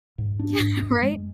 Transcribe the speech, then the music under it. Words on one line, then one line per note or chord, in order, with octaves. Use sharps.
Yeah, right?
G#2
D4
G#2
F#2
G#3